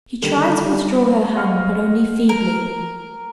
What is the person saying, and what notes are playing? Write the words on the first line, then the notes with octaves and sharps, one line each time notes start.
She tried to withdraw her hand, but only feebly.
D3 D#3 G3 D4
G3
C5 D#5 F5 F#5 C#6 F6
A#4